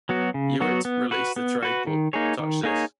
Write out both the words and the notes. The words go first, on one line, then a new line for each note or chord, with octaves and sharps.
Hewitt released the trade book: Touch This!
F#3 B3 F#4
C#3
F#3 B3 F#4
B3
F#4 B4
B3
F#4 B4
D#3
A#3 D#4 G#4 C#5
D#3
A#3 D#4 G#4 C#5